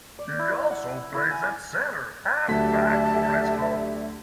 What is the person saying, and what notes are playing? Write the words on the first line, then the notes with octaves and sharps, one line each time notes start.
He also plays at centre half back for his club.
D5
E4
F#5
E4
G#5
D6
D2 F#3 G4 D5 E5 A5 B6